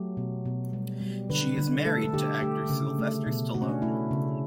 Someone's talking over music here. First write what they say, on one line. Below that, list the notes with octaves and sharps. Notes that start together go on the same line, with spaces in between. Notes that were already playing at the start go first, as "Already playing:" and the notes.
She is married to actor Sylvester Stallone.
Already playing: F#3 A3 G4
B2
B2
G3
G3
D3 B4
D3
A3 A4
A4
D3 G4
A3 G4
C#3
A3
B2
A3 F#4
C#4
D4
A3 E4
C#3